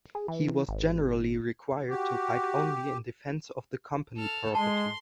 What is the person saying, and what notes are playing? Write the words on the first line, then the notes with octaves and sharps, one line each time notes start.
He was generally required to fight only in defence of the company property.
G#4
E3
G#1
F#4 G4
A4 F6
G#3 A5 C6